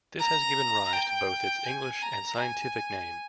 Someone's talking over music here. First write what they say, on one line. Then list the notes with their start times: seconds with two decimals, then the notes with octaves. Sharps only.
This has given rise to both its English and scientific name.
0.19 A#5
0.92 G5
1.65 G#5
2.02 A#5
2.38 G#5